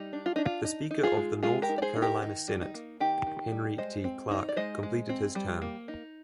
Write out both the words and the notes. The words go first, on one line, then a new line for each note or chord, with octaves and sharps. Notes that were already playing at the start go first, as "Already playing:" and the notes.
The Speaker of the North Carolina Senate, Henry T. Clark, completed his term.
Already playing: G3 D#4
D4
F4
D4 D#4
F4
D#4
D#4
F4 G#4
G#3
G#3 F4 G#4
G4 A#4
D#4
D5
G#4 C5
D#4
G4 A#4
D#3 D#4
G3
D#4
A#3
D#3 D#4 G4
D#3
G3
G#3 C5 D#5
C4
D#4
D5
G#3 C5 D#5
G#3
C4
G3
A#3
D#4